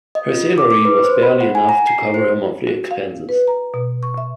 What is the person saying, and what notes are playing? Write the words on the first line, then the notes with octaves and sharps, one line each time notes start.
Her salary was barely enough to cover her monthly expenses.
D#5
F4
D6
D6
B4
C5
B5
F#5
G#5
A#5
C7
C5
F#4
F5
B4
A#5
B2
C#6
E5